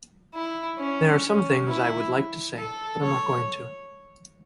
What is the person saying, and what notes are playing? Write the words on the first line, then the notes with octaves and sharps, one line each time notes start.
There are some things I would like to say but I'm not going to.
E4
C#4
C#4
E4
A4
C#5